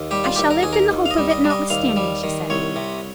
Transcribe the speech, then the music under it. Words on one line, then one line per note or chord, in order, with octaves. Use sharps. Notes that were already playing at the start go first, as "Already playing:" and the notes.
"I shall live in the hope of it, notwithstanding," she said.
Already playing: D#2
G3 G4
F4
D#2 G4
A#4
D#2 G#4
A#4
D#2
F5
D#5
G3
D#5
G3
D#5
D#2 F5
G3
D#3
C2 C#5
C3